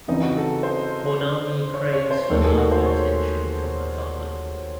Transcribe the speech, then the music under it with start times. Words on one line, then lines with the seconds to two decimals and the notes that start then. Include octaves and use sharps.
Pournami craves for love and attention from her father.
0.08 C#3 E3 C4 D#4 E4
0.23 F#4
0.37 A4
0.63 C5
1.74 C#5
1.93 C#5
2.11 C5
2.30 D#2 D#3 A3 A4
2.44 G#4
2.57 F#4
2.72 C5
2.85 C#5